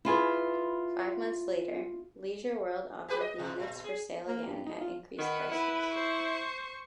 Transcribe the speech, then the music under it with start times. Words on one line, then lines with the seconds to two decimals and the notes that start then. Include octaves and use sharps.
Five months later, Leisure World offered the units for sale again at increased prices.
0.05 E4 F4 G#4 B4
3.08 G4 G#4 B4
3.21 D#5
3.38 G#2 C3 F3
3.60 A#2
3.84 G#4
4.28 A#3
4.47 G2
4.66 D#4
4.80 F4
5.18 D#3 B4 F#5
5.51 E4 B4
5.91 C5 C#6